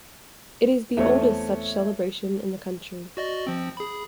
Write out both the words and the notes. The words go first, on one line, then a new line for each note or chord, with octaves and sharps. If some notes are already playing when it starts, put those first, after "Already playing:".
It is the oldest such celebration in the country.
E2 A3 C4 C#5
F#4 D5 D#5
F3 C4
G#4 B5